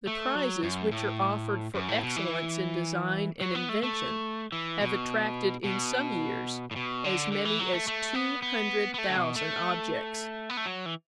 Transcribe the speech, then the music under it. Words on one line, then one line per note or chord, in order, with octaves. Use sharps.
The prizes which are offered for excellence in design and invention have attracted, in some years, as many as two hundred thousand objects.
A3
F#3
F#2
A2
F#2
A2
B2
E3
F#3
B3
A3
A3
E3
B2
B2
A2
B2
D3
D3
E3
F#3
A3
A3
B3
B3
B3
A3
D3
B2
A3
B3
A3
F#3
E3